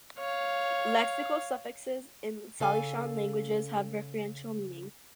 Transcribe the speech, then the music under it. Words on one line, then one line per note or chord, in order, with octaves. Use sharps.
Lexical suffixes in Salishan languages have referential meaning.
C#5 F5
C#3 A4 F5 G#5